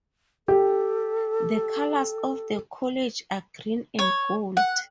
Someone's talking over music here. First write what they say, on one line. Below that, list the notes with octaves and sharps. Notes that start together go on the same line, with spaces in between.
The colours of the college are green and gold.
G4 A4
C#5
F#5